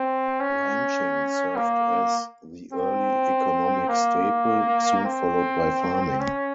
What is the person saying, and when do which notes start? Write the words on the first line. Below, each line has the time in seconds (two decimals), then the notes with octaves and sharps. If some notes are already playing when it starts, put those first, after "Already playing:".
Ranching served as the early economic staple, soon followed by farming.
Already playing: C4
0.40 C#4
1.56 A#3
2.73 C4
3.89 A#3
5.05 C4
6.20 C#4